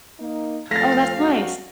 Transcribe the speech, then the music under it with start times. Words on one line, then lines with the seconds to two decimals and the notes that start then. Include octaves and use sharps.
Oh, that's nice.
0.20 A#3 D#4
0.71 F2 F3 A3 F5 A6 A#6
1.18 F#2 G3 F#4